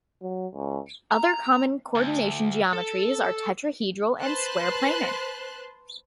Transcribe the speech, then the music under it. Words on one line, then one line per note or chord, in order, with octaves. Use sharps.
Other common coordination geometries are tetrahedral and square planar.
F#3
C#2
A#5
D2
A4
B4 C5 A5 C6 F#6